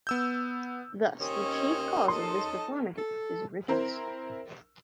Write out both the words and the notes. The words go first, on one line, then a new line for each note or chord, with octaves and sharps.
Thus the chief cause of this deformity is rickets.
B3 E6 G6
D#2 C4 C#4 C#5 D#5
C#4 D#4 A4 D#5 A5 C6
A4
C4 E4 A#4 C5